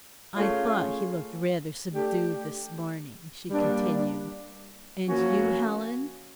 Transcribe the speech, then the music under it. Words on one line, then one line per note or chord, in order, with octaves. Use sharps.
'I thought he looked rather subdued this morning,' she continued; 'and you, Helen?
A3 C#4 F4 G#4 C#5
A3 D4 G4
G3 A#3 D4
F3 A#3 C#4 F#4